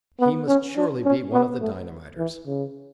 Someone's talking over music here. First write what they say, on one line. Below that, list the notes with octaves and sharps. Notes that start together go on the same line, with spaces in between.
He must surely be one of the dynamiters!
B3
C#4
D4
C#4
B3
A3
E3
C#3